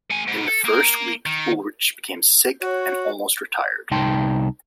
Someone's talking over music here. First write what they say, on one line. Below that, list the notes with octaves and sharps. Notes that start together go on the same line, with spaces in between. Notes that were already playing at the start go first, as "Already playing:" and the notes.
In the first week, Ullrich became sick and almost retired.
A3 G#5
G#2 B2
A4
A#3 A#4
D#3
F#4 C#5
C2 D#4 G5 A5 C6